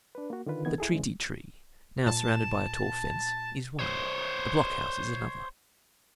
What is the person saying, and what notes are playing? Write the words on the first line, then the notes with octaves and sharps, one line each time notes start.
The Treaty Tree, now surrounded by a tall fence, is one, the block-house is another.
D4 B4
A#3 F#4
D3 D#3 F4 B4
D#3 E3 B3 G#6
E4 G#4 A4
D#2 C#3 E3 G#3
A#2 A5
C5 C#5